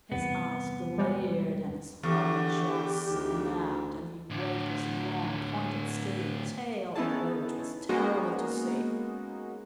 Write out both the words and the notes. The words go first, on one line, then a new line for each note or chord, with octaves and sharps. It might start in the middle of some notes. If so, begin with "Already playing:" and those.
His eyes glared and his horny jaws snapped, and he waved his long, pointed, scaly tail in a way which was terrible to see.
E2 G2 C3 B3
G3 G#3
E2 D3 G4 C#6
D2 D#4
A2 D3
B3 C#4 D#4 E4 G#4 A5
G#3 A#3 B3 C#4 D#4 F#4